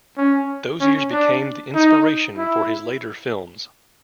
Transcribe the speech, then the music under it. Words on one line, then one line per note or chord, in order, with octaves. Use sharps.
Those years became the inspiration for his later films.
C#4
C#4
D4
D#4
E4